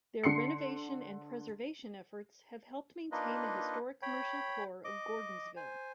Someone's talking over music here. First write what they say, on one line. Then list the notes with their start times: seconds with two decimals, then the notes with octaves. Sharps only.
Their renovation and preservation efforts have helped maintain the historic commercial core of Gordonsville.
0.24 D3 C6 C7 C#7
3.12 A#3 D4 D#4 F4 B4 D#5
4.02 C#5 G5 B5
4.84 D#5 D6
5.56 C5 G#5